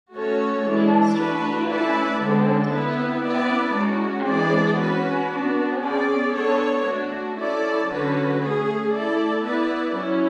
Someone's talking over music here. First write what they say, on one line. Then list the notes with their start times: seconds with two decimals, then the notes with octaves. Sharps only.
The Australian electoral Division of Gellibrand and the Gellibrand River are named after him.
0.13 A3 C#4 F#4 A4 C#5
0.65 E3 G#3 D4
1.16 A3 D4 F#4 B4
1.68 A3 E4 B4 D5
2.20 D3 G#3 D4 A4
2.72 B3 E4 B4
3.24 B3 E4 B4 D5
3.75 G#3 C#4 F#4
4.26 E3 G#3 D4 G#4 D5
4.78 C#4 F#4 B4
5.30 B3 D4 F#4
5.82 C#4 G#4 D5
6.33 B3 D4 A4 C#5
6.85 A3 D4 F#4
7.37 C#4 E4 A4 D5
7.88 D3 F#3 C#4 F#4 B4
8.40 A3 C#4 G#4
8.92 A3 E4 A4 D5
9.44 B3 E4 B4 D5
9.95 F#3 C#4 E4